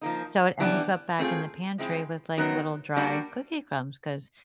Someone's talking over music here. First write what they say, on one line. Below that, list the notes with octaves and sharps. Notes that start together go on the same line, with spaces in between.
So it ends up back in the pantry with, like, little dry cookie crumbs 'cause,
F3 A#3 D#4
E3 G3 B3 D4
A3 C4 F4 G#4
F3 G#3 C4 E4
F#2 D#3 F#3 B3
G3 A#3 D4 F#4